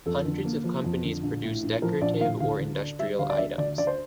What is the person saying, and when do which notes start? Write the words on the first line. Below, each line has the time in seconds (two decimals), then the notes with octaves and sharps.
Hundreds of companies produced decorative or industrial items.
0.06 F2 A4
0.26 D3
0.45 A#3
0.64 F3
0.84 F2
1.04 D3
1.23 A#1
1.43 A2
1.63 A#1
1.82 F3 A#4
2.01 A#1 D5
2.21 A2 F5
2.40 D2 F5
2.60 D3
2.80 D4
2.99 G3 E5
3.19 D2 F5
3.30 D5
3.38 D3 E5
3.58 D2 D5
3.77 D3 D5
3.87 C5